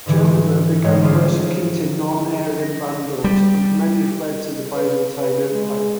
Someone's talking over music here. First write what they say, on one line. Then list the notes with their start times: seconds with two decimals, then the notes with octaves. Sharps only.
Gelimer began persecuting non Arian Vandals, and many fled to the Byzantine Empire.
0.06 G#2 D3 E3
0.84 A1 G#2 G#3 C#5 C6
1.02 D3 F3 G3 C#4 F4 G#4
2.62 A#6
3.24 G3
4.75 B4
5.20 B4
5.52 G#3